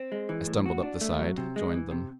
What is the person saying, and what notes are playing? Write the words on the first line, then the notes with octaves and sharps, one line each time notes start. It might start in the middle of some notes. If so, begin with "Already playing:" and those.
I stumbled up the side; joined them.
Already playing: C4
G#3
E3
A2
F#4
D4
A3
F#3
C3
G#3
E3
C3